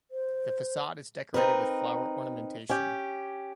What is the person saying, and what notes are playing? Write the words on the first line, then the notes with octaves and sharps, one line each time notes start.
The facade is decorated with flower ornamentation.
C5
C4 D#4 A#4 B4
C#4 G4